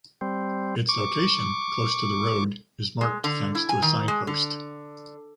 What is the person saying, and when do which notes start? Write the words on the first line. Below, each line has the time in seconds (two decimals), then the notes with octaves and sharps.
Its location, close to the road, is marked thanks to a signpost.
0.21 G3 C4
0.89 C#6 D6
3.01 G#3
3.24 D3
3.55 E4
3.69 G#5
3.82 D#3
4.08 G#3
4.27 D3